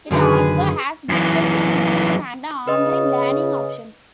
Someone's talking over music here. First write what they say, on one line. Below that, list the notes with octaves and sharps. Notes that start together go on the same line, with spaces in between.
It also has distance education and online learning options.
F#2 D3 D#3 G#4 B4
F#2 E3
C#3 B4 D#5 D#6